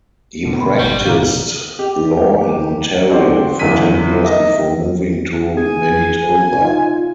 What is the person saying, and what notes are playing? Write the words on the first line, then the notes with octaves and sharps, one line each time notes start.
He practiced law in Ontario for ten years before moving to Manitoba.
B2 D3
B5 C6
D#1 G#1 G3 C#6 G6
C3 D#3 F5 A#5
G4
C4 D4 F#4 G4 C5
F#1 E2 D3 F#3 B6 D#7
A#4 D#5 E5
G#4 G#5
D#4 F4